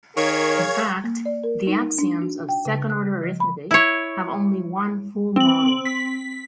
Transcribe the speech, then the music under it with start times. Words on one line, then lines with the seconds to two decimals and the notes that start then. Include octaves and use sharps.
In fact, the axioms of second-order arithmetic have only one full model.
0.17 D#3 G#4 A#4 C#5 F5 G#6
1.04 A#3
1.26 D5
1.44 A#4
1.67 D#4
1.98 D4
2.22 F#4
2.49 G5
2.65 C#3
2.90 F#6
3.23 F3
3.40 B5
3.71 E4 C#5
5.36 C4 F#7
5.85 B6